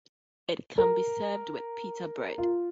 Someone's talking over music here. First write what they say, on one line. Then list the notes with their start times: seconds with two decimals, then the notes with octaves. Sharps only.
It can be served with pita bread.
0.78 A#4
2.38 F4